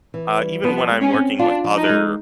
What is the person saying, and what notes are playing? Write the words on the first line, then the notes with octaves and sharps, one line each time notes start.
uh, even when I'm working with other,
E3
G3
F3 B3
G#3
C#4
C4
D4 F4
F3
D#4
G#3